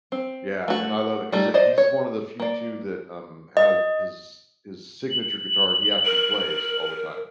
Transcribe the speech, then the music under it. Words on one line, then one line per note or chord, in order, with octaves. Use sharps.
Yeah, and I love it 'cause it he's one of the few too that, um, ha his his signature guitar, he actually plays all the time.
C4
A3 F#4
G3 A3 D#4
C5 D5 D#5
C#5
A#3 D5
D#5
F#7
A#4